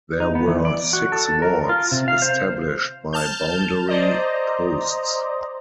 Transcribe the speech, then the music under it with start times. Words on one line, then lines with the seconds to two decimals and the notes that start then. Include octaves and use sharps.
There were six wards established by boundary posts.
0.20 D#4
0.35 B3
0.47 E3
0.65 D5
0.93 F#4
1.12 A4
1.42 A#4
1.69 F4
1.92 C3
2.08 F5
2.22 C5
3.13 A5 F6 G6
3.88 C5 D5 D#5 A#5